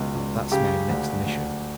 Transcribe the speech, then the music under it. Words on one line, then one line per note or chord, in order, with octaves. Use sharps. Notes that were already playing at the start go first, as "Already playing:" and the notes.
That's my next mission.
Already playing: C#2 B2
C#2
C#3 G4
D2
D2